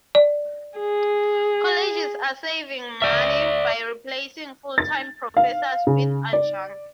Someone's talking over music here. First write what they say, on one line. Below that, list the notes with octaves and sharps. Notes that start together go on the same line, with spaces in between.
Colleges are saving money by replacing full-time professors with adjuncts.
D5
G#4
D5 E5
A6
F5
C#3
D5